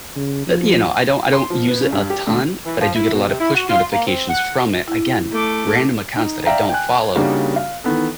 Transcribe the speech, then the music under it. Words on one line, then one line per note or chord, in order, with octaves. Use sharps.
But, you know, I don't I don't use it a ton, but I do get a lotta push notifications from it. Again, random accounts that I don't follow,
C#3
F3
C6
F3
B3
C#3
G2
G4
D2
E3
F3
E4
B2
C3
E4
F#4
F4
A#3
C4
F#5
E4
A3 D6
D#4
D5 E5 F5 G5 A#5
G5 G#5 F#6
C#3 G3 A#3 D4 D#4 F#4
F5
D#3 E3 B3 A4